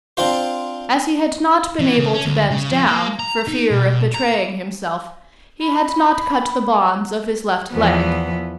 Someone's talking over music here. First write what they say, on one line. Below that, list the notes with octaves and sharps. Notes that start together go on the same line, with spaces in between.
As he had not been able to bend down, for fear of betraying himself, he had not cut the bonds of his left leg.
C4 D4 F4 C5
E3
C#3
C#4
D2
C#3
F3
A#3
A#5
D#4
B2
A#5
B5
E2 F3 B3